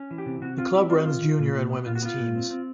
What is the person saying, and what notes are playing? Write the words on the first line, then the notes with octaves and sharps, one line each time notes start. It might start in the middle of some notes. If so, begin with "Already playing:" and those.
The club runs junior and women's teams.
Already playing: C#4
E3
G4
C3
C3 F#4
C4 F4
C4 E4
C4 F4
F#4
D#3 F4
D#3
A#2
A#2
B3
A#2 F4
F#4
B3 F4
A#2
C4
C4